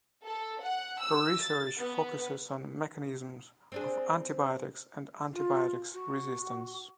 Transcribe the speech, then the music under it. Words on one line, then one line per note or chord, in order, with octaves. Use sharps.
Her research focuses on mechanisms of antibiotics and antibiotic resistance.
A4
F#5
E6
A6
B3
C4 D4 G#4
F4
F#4